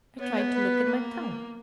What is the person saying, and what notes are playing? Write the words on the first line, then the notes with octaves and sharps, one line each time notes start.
I tried to look at my tongue.
B3 C#5
C#5
B4
A#3